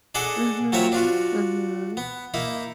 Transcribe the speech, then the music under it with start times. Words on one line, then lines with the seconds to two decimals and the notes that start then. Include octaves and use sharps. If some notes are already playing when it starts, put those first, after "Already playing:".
Mhm, mhm.
0.15 D4 G#4 A4 D5 D#5 F#5
0.72 F#3 C4 F4 F#4 C#5 E5
0.92 D4 F4 F#4
1.97 B3
2.34 A#3 D#4 E4